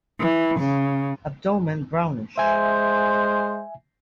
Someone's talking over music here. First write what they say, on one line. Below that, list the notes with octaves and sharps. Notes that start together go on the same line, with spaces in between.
Abdomen brownish.
E3
C#3
G#3 C5 E5 G#5